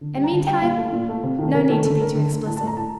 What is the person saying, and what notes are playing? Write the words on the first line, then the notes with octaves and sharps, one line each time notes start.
And meantime--no need to be too explicit.
D3
G3 G5
A#5
D3 A5
G3 G5
A#2 F5
A3
A#2
A3
C3
D#3 A3
C3 A#4
D#3 A3 A4
D3 A4
A3 A#4
D3
A3
A2 A5
A5
A3
A#5
A2 A5